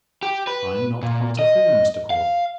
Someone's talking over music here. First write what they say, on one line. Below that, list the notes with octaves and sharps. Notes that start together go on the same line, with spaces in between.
I'm not quite a fool, Mr. Caudle.
G4
B4
A#2
D#5
F5